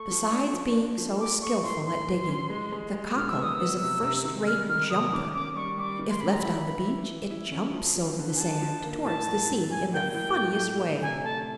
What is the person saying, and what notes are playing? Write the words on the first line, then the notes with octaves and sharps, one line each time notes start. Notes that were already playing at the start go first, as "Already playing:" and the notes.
Besides being so skilful at digging, the Cockle is a first-rate jumper. If left on the beach, it jumps over the sand, towards the sea, in the funniest way.
Already playing: A3 C#6
F3
D4
F3
D4
F3
A3 D6
A3 C#6
A2 C6
E3 C6
E3
C#4
G#3
G#3
G#3
A#2 F6
E6
B3
D#6
E6
B3
C3
C3
D#3
G3 F6
D#3 F6
C3 D#6
D#3 D6
C#4 D6
G3 C#6
G3 D6
D#3
C6
C#4 B5
A#5
E4 B5
E3
E4
E3
E4
C#4
F3
F3
D3
G#5
D3 A5
F3
A#3
A2 A5
F#3
F#3
F#3 G#5
A#3 G5
A2 G5
A3
A3
A3
C3 G#5
A3 A5